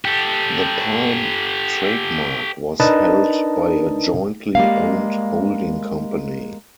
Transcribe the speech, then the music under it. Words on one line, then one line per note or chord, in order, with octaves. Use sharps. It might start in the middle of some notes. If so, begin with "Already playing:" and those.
The Palm trademark was held by a jointly owned holding company.
G4 A4
D4 D#4 A#4 B4 D#5 A5
G3 G#3 A#3 F5